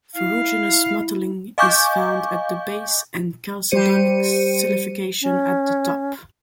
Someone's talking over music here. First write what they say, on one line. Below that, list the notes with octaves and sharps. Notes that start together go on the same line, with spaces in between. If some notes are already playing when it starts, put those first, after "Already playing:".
Ferruginous mottling is found at the base and chalcedonic silification at the top.
E4 F5
D#5 F5 G#5 C#6 D6 G6
G3 G4 C5 C#7 D#7
C#4